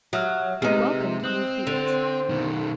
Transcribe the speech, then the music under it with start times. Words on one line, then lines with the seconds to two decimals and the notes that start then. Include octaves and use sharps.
He welcomed new fields.
0.13 F#3 E5 D#6 F6
0.62 C3 G#3 D#4 G4 B4 F6
1.24 C4 D#6 F#6 F#7
1.67 D3 C5 F7
2.30 B2 D#3